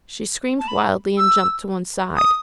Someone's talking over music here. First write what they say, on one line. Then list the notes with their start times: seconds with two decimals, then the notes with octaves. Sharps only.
She screamed wildly and jumped to one side.
0.59 A5
0.68 B5
1.18 E6
2.17 D#6